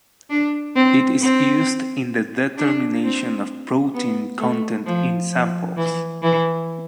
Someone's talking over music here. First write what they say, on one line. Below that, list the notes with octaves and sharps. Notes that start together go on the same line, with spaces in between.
It is used in the determination of protein content in samples.
D4
C4
C4
D4
C4
B3
A3
F3
F3
E3
E3